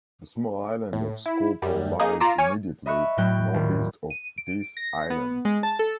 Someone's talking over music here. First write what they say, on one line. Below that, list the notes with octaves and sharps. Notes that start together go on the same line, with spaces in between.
The small island of Skorpo lies immediately northeast of this island.
A2
E4
F#2 G3
A#3 D#4 G#4
F4 A#5 D6 E6
C#5 G#5 C#6 D6 F6
D#5 E5 B5 C#6 F#6 C#7
A2 F#3 G5 F#6
D#1
D#7
D7
A#6
B3
G#3
A5
A4